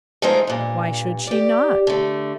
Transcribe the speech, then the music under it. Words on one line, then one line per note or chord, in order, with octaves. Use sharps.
Why should she not?
F3 G#3 A3 D#4 A#4 C5
G2 A#2
G4 D5
D3 A3